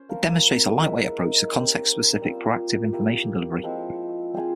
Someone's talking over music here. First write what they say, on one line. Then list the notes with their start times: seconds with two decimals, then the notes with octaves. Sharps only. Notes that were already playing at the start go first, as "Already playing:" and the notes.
It demonstrates a lightweight approach to context-specific proactive information delivery.
Already playing: C#4 C5
0.09 F3 A#3 F4 A#4
0.80 G#3 E4 A#4 E5
1.52 C#4 G4 C5
2.22 G3 C4 F4 C5
2.92 A#3 E4 G4
3.63 F3 G#3 C4 E4
4.34 C4 F4 G#4 C5